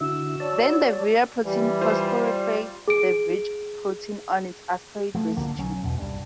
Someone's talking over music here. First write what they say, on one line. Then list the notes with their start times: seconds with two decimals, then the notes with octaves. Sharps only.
Then the virA protein phosphorylates the virG protein on its aspartate residue.
0.01 D3 E4 F#4 E6
0.40 C#5 D5 A5
1.45 E3 G3
1.81 F4 C5
2.88 G#4 D7
5.15 F3 A3
5.36 C2 D3 A#3
5.58 B1 F#3 C#4
5.83 B1 E2 B2
5.98 C2 G2